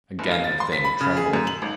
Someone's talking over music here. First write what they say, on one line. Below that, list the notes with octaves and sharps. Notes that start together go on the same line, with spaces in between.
Again the Thing trembled.
F1
F5
A6
C6
B6
B5
C#3
G#4
F#2
F#7
G#1